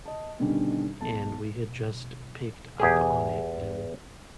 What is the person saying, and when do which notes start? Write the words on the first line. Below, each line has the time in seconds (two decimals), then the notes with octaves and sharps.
and we had just picked up on it in
0.06 D#5 A5
0.40 B2 D3 D#3 G3 C#4 D4
1.01 B1 A5
2.80 E2 G4 G#4